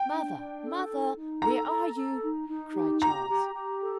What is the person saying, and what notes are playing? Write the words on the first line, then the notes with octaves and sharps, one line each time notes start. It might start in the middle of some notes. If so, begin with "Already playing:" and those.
"Mother! mother! where are you?" cried Charles.
Already playing: G5
D4
D4
A4
D#4
D#4
A4 A#5
A4
A4
D#4
D#4
G4
G4 A#5
G4
G4
A4